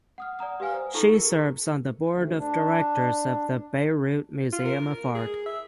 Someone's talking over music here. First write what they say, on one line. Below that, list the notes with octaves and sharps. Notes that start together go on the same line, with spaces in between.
She serves on the Board of Directors of the Beirut Museum of Art.
F#5 D#6 F6
D5 F#5 A#5 D#6
G4 B4 F5 G#5 F6
C5
D#4 F4 A4 A5 A#5 C#6
G#4 A#4
D2
D4
F4
A#4
G#4
E5